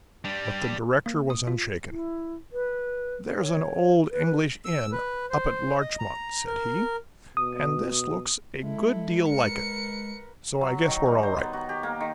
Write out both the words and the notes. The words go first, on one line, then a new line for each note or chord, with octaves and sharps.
But the director was unshaken. "There's an old English inn up at Larchmont," said he, "and this looks a good deal like it, so I guess we're all right."
G3 D4
A#3
D#6
F4
E4
B4
C#5
B4
E6
B4
C5
D#5
A#5
A#4
B2 D#6
G#3 E4 A4
A#4 B4 C#7
F#3
D#3
G3
C5
B3
F#4
G4
A#3
D#3